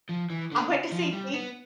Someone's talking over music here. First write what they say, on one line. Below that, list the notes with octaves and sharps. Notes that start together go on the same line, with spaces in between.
I went to see Keith
F3
E3
D3
F3
G3
B3